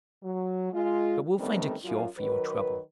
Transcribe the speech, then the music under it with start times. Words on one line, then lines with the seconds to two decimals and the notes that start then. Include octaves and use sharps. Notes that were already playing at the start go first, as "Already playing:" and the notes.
But we'll find a cure for your trouble.
0.23 F#3
0.73 G#3 F4
1.39 D3 D#3 G3 A3 B3 C4
1.84 F#2 F4
2.18 D#3 F#3 A#4 B4